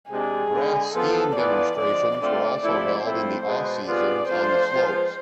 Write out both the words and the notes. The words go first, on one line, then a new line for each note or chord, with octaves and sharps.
Grass skiing demonstrations were also held in the off seasons on the slopes.
C3 G#3 D4 G#4
D3 G#3 B3
F3 B3 F4 A4
E3 B3 F4 D5
D3 F3 G#3 D5
D3 A3 C4 F4 D5
C3 F3 A3 E4
A2 F3 A3 C4 E4 C5
B2 G#3 B3
C3 G#3 B3 F4 D5
F3 A3 D4 F4 C5
F3 G#3 B3 F4